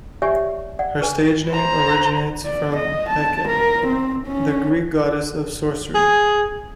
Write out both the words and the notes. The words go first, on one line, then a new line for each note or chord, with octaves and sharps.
Her stage name originates from Hecate, the Greek goddess of sorcery.
G4 C#5 D5 E5 G#5 C#6
D5 F#5
G#4 B4 G#5
C5 A#5
D5
D#5
A5
A#4
C4
C#4
G#4